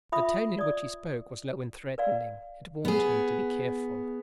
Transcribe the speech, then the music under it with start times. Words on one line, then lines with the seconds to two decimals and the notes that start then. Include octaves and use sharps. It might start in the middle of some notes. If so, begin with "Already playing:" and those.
The tone in which he spoke was low and threatening; it warned me to be careful.
0.12 F4 E5 B5 D#6
0.59 D5 D#6
1.98 B4 D5 F5
2.85 B3 G#4